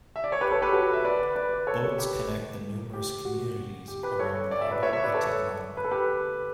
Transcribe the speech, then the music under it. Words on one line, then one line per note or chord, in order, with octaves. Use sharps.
Boats connect the numerous communities around Lago Atitlan.
E5
D5
C#5
G4 B4
A4 C#5
G4 B4
F#4 A4
E5
B4 D5
B4 D5
A4 C#5
G4 B4
G4
F#4
G4
G4 B4
A4 C#5
D5
E5
B4 D5
C#5 E5
C#5 E5
B4 D5
A4 C#5
B4
A4
G4 B4